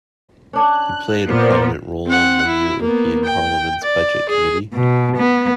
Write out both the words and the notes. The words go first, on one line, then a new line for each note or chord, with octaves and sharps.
He played a prominent role on the European Parliament's budget committee.
C#4 D4 C#5 F#6
A#2 B3 A#4 C5 D5
C4 F#5
E4
A#3 B3
G5
D5
G#4
B2
B3